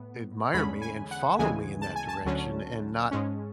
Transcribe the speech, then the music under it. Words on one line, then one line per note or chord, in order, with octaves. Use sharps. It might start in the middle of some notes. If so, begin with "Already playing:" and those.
admire me and follow me in that direction and not
Already playing: A2 B3
E2 D3 G#3 C#4 B5
G#5
F#5
D2 C#3 E3 G#3 B3 G#5
A5
G#5
A5
D2 D3 F#3 C#4
G#2 G#3 C#4